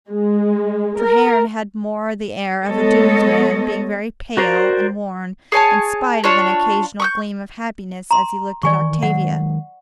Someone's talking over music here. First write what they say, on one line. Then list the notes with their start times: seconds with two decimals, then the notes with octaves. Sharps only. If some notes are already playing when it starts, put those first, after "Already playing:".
Treherne had more the air of a doomed man, being very pale and worn, in spite of an occasional gleam of happiness as he looked at Octavia.
0.10 G#3
0.99 A#4
2.64 G#3 B3 A4 C#5 D#5
4.37 F#4 A#4 C5 D5 A#5
5.52 G#4 C#5 G#5 A5
6.24 D4 F4 C#5
7.00 C#6 D#6 G6
8.11 A#5 C6
8.63 D#3 E3 D5 G#5 C#6
9.03 D#3 F#3 G#3 F#5